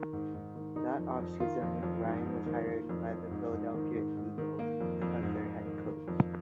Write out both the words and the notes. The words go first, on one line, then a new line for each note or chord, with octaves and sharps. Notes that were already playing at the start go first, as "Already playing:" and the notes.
That offseason, Ryan was hired by the Philadelphia Eagles as their head coach.
Already playing: D#3
G#2
G#2
D#3
D#3 D#4
F2
F2
D#3 F4
F2
F2
G#2
G#2
D#3
D#3
F2
F2
G#2
G#2
D#3
G#2
G#2
D#3
D#3 A#3
F2
F2
G#2
G#2
D#3
D#3
F2